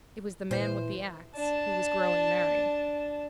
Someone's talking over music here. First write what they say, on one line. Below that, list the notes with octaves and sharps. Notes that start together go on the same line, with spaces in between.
It was the man with the axe, who was growing merry.
A#2 E3 C5
D4 A5